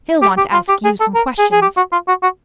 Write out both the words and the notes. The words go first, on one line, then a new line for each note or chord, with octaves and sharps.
He'll want to ask you some questions.
G4
G4
F4
G4
G#4
A4
A#4
G#4
G#4
G4
F#4
F4
F#4
F#4